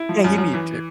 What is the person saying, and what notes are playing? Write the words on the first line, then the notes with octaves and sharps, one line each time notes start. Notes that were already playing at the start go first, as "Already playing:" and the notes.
Yeah, you need to.
Already playing: E4
F3
F#2
F#2
E3